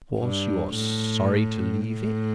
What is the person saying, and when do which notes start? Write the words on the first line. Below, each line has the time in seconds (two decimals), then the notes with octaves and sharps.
"Because you are sorry to leave it?"
0.19 G2
0.75 A2
1.88 A2